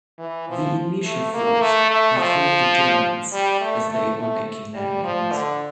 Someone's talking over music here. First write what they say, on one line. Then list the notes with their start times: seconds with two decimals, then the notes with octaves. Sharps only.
The initial force had fought the Germans as they were making landings.
0.18 E3
0.48 F3
1.04 A3
1.34 A#3
1.61 A3
1.91 A3
2.18 F3
3.32 G3
3.61 A3
3.90 A3
4.18 A3
4.75 G3
5.04 F3
5.32 D3